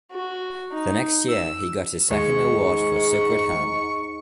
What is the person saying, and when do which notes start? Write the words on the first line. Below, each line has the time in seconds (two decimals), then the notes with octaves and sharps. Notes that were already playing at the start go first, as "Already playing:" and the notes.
The next year he got his second award for "Sukrutham".
0.12 F#4
0.72 D#4
1.28 E6
2.11 D#2 G#2 G#3 C#6